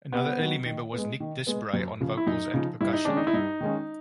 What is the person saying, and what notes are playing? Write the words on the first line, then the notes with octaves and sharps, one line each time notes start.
Another early member was Nick Disbray on vocals and percussion.
C3 B3
D#3 F#3
D#3
G#3 B3
D#3
G#3 B3
F#2
C#3 F3
E4
F#2 D#4
C#3 F3
G2 E4
D#4
D#3 G#3 C#4 D4
D#4
E4
G2 D#4
D#3 G#3 C#4